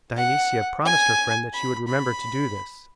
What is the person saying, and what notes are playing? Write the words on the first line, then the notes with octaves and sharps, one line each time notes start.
Dionysia promised her friend that she would remember to do this.
F#5
G#5
B5
B5